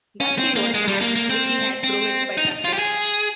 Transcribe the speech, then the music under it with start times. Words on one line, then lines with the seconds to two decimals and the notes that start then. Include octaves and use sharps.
Thus he wrote facts, which he had proven by practice.
0.20 C#4
0.38 C4
0.56 A#3
0.74 G#3
0.88 G3
1.01 A#3
1.16 A#3
1.30 C4
1.84 C4
2.38 D#4
2.65 F4
2.73 G4
2.79 G#4